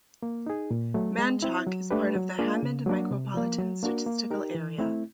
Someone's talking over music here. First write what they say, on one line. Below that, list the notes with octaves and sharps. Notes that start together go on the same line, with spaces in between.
Manchac is part of the Hammond Micropolitan Statistical Area.
A#3
D#4 G#4
A#2
F#3 A3
G#3
C4 E4
F#3
A3 D4 G4 B4
F#3
A#3 D4 F4 G#4
C#3
F#3 A#3 D4 F#4
C3
F3 A#3
F#3
A#3 D4 F#4 A#4
A#3
D#4 G4 A#4
E3
A3 C4 E4